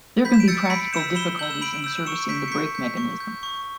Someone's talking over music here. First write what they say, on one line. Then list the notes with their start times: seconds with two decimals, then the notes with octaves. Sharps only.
There can be practical difficulties in servicing the brake mechanism.
0.25 B5 G6 B6
0.34 E7
0.40 D7
0.48 E6 G6 A6 C#7
0.65 C#7
0.70 B5 B6 D7
0.93 E6 G6 C#7 E7
1.15 B5 E7 G7
1.39 E6 G6 F#7
1.51 E7
1.62 B5 D7 F#7
1.84 E6 G6
1.97 D7
2.06 C#6 C#7 E7
2.29 G6 B6 D7
2.48 C#7
2.52 C#6 G6 B6
2.75 G6
2.97 C#6
3.20 G6
3.43 C#6